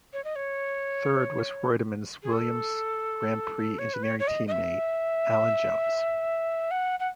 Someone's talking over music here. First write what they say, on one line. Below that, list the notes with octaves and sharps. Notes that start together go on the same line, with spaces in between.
Third was Reutemann's Williams Grand Prix Engineering teammate Alan Jones.
C#5
D#5
C#5
G#4
A4
C#5
B4
C#5
C#5
D#5
D#5
E5
F#5
F#5